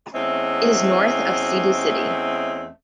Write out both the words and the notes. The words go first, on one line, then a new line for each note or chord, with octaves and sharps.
It is north of Cebu City.
E2 A3 C4 C#4 D#5